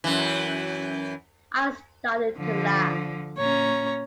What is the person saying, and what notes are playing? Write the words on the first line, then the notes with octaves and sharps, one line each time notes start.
I started to laugh.
F#2 E3
D3 F3
A#2 C#4 C#5 A#5